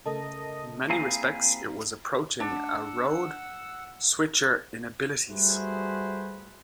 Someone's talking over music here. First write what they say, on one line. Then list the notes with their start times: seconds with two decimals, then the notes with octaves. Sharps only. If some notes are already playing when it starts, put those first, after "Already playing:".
In many respects it was approaching a road switcher in abilities.
0.06 C#3 A3 A4 A#4 D#5 A5
0.90 A#3 C4 E4 G#4 F5
2.40 D4 F#5 E6
5.29 G3 A3 F#4 G#4 B4 C5